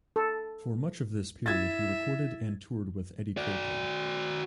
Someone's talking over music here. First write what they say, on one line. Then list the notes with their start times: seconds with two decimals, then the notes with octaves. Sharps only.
For much of this period he recorded and toured with Eddie Kirkland.
0.16 A4
1.46 E4 E5 G#6 A6
3.37 F#4 D5